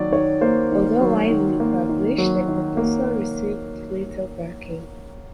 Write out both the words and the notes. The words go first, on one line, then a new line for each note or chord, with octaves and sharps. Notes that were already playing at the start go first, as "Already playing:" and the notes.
Although widely published, the proposal received little backing.
Already playing: D#3 F#3 D5
D#3 C#5
A#3 C5
D#3
F#3
D#3
A#3
D#3
F#3
D#3
A#3